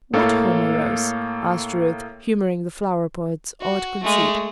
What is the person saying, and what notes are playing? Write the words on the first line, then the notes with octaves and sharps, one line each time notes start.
"What Homer rose?" asked Ruth, humoring the flower-poet's odd conceit.
A2 A#3 A4 C#5 F5
F#4
G#3 A3